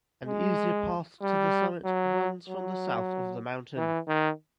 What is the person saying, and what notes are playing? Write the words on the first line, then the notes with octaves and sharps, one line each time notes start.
An easier path to the summit runs from the south of the mountain.
G#3
G3
F#3
F#3
E3
D#3